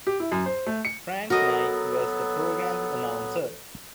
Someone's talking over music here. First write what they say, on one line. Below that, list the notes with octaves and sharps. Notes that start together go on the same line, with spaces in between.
Frank Knight was the program's announcer.
G4
E4
F#2
C5
A3
C#7
F#3 B3 F#4 A4 A#4 D#5